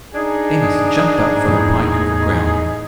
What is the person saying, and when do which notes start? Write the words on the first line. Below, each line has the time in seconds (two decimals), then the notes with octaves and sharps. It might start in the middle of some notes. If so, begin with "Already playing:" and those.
Amos jumped up from the pine-covered ground.
0.14 D4 D#4 G#4
1.48 E2 A2